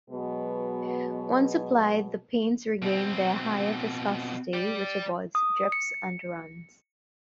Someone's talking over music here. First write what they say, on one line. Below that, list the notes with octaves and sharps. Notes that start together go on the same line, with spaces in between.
Once applied the paints regain their higher viscosity which avoids drips and runs.
B2 F#3 G#3 B3
B2 C4
D5 G5
D#6
C#7